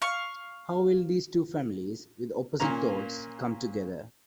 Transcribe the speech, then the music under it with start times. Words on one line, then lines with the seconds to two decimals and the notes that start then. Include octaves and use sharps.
How will these two families with opposite thoughts come together?
0.02 F5 C#6
2.60 A#2 A#3 C#4 A#5